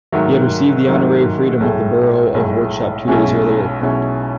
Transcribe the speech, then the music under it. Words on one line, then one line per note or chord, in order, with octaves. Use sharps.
He had received the honorary freedom of the Borough of Worksop two days earlier.
G#2 D#3 F#3 A3
G#2 D#3 F#3 A3
B1 A2 G#3
B1 A2 G#3
B1 B2 G#3 C#4 E4
B1 B2 G#3 C#4 E4